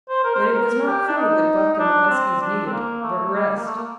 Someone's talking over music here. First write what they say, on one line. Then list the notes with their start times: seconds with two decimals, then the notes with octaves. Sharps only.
But it was not food that Buck and the huskies needed, but rest.
0.09 C5
0.24 A#4
0.35 C5
0.47 A#4
0.87 G4
1.07 D4
1.17 D#4
1.74 D#4
1.79 D4
2.10 C4
2.41 D4
2.66 C4
2.72 A#3
3.03 A3
3.34 G3
3.56 A#3
3.65 A3
3.75 A#3